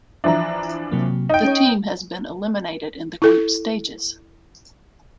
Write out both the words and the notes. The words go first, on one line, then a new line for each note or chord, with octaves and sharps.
The team has been eliminated in the group stages.
E3 F3 D4 E5 A#5
C3 F#3 A#3
D#4 G5
C#4 C#5
E4 A4